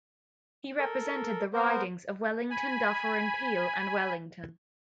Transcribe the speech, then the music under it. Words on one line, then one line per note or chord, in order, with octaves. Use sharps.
He represented the ridings of Wellington-Dufferin-Peel and Wellington.
A4 A#4
B3 A#4 C5
G#5 B5